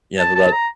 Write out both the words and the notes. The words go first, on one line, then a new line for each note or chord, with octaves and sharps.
Yeah, th that
A5
A5
A#5